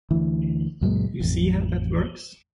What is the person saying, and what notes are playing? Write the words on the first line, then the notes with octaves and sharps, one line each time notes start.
You see how that works?
D2 E3
C#2 F#2 A#2 G#3
A1 F2